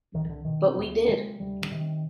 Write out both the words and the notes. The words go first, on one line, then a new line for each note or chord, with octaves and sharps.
But we did.
C2 D#3
D#3
D3
B2 D#3
C4
D2 B3
C3 G#3
D2 G3
D3
C3 D#3